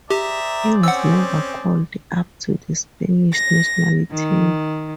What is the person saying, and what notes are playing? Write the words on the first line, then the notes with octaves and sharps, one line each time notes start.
He was never called up to the Spanish national team.
G4 G#4 C5 D5 E5 A#5
C4 C#4 F#5 E6
A#6
D#3